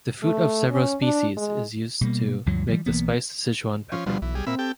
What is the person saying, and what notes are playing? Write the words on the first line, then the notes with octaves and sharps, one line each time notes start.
The fruit of several species is used to make the spice Sichuan pepper.
A3
C#4
D4
G#3
B2 G3 A#3
D2 G2 F3 F#3
E3 F3 G3
B1 E3 A#3 B3
F3 C#4
D2 B2 F3 G3
B1 E3
G3 G#4
A#2 C4 E5 B5
G4 A4 G5